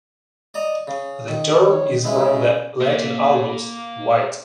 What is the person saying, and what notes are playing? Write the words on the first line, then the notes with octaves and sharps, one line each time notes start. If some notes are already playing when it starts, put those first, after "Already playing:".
The term is from the Latin "albus", "white".
D5 D#5 A#5
C#3
D#3
C#5
C#3 G#3 E4 B4
A#3 C6